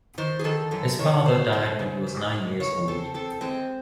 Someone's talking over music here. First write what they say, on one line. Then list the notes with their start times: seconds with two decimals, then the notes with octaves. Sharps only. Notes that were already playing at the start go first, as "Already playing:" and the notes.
His father died when he was nine years old.
0.18 D#3 C5
0.39 G#4
0.44 D#3 A4
0.71 F#2 A4
0.99 D#3 C#5
1.25 A3 C5
1.52 A3 C5
1.79 C#3
2.07 C#3
2.34 G#3
2.60 C#3 C#5
2.88 C4 A4
3.14 C4 A4
3.41 G#3 C4